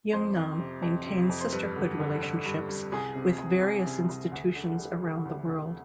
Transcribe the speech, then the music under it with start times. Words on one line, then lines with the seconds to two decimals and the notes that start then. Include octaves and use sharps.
Yeungnam maintains sisterhood relationships with various institutions around the world.
0.13 F2 C5
0.36 F2
0.59 C3
0.82 F2
1.06 C3
1.29 F2
1.41 C5
1.52 G2 B4
1.76 D3
1.99 D3
2.22 D3
2.46 G2
2.69 G2
2.92 C2 G#4
3.15 C3
3.38 C2
3.62 C2
3.85 C3
4.09 C2
4.32 D2
4.56 D3
4.79 G3
5.02 G3
5.25 D2
5.49 D2